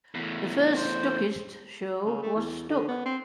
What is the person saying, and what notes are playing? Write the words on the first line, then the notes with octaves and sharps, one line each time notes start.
The first Stuckist show was Stuck!
E2 A2
C5
C#3
A3
E2
D3
B3
C4